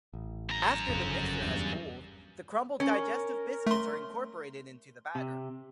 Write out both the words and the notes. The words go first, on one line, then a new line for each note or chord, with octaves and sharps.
After the mixture has cooled the crumbled digestive biscuits are incorporated into the batter.
A1
F#2 A#5
G1 F2 C#3
E2 G2
C#4 A#4
A3 C6
C3